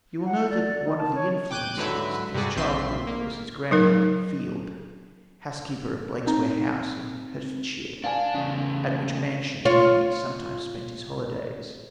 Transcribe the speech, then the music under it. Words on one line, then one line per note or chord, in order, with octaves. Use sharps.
You will know that one of the influences of his childhood was his grandmother Field, housekeeper of Blakesware House, in Hertfordshire, at which mansion he sometimes spent his holidays.
F#5
D5
D#4
A5
C#5
G5 D6 F#6 G6 D#7
G#2 D3 F#3 B4 E5 B5
G2 C3 F#4 G#4 D5
A#1 C4 F4 E5 C6 B6
A#3
F#3 D#4 A#4
C4 D#4 A#5
D4 F5 G#5
E2 C#3 C#4
F4 C#5